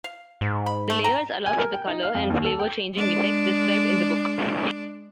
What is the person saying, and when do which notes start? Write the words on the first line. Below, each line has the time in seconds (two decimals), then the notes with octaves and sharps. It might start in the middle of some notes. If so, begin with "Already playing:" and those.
The layers allow for the colour and flavour changing effects described in the book.
0.04 F5
0.41 G#2
0.66 B5
0.90 A3
1.04 G5 A#5
1.46 G#5
1.59 A#4
1.73 G5
1.87 D#4
2.03 F5
2.15 F2
2.30 D#2
2.45 A4
2.59 G5
2.94 G#3 D4